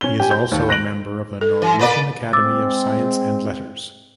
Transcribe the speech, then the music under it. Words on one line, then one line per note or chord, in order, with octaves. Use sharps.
He is also a member of the Norwegian Academy of Science and Letters.
C#4 G7
G4 G#5
G6
D#2 A3 A4
F#6 A#6 D7 F#7
A4
E3
A#3 B4 D5
G#3 C4 D6 E6 A6